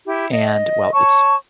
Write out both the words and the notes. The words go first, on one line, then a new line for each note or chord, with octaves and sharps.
And, well, it's
E4 G4
D#5
C#5 A5 C#6